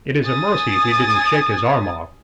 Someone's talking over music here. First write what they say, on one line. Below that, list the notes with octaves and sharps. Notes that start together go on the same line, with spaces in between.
It is a mercy he didn't shake his arm off.
G#5 D#6 A6